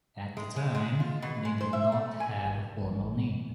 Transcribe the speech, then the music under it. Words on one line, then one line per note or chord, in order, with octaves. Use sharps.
At the time, they did not have a formal name.
G#3
G#3
G#3
F4
B2
G#3
C5
E5
A3
G#5
G#1
A1
G#3